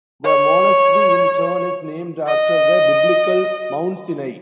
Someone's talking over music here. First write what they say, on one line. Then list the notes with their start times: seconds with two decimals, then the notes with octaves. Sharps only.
The monastery in turn is named after the Biblical Mount Sinai.
0.25 C#5
2.28 D#5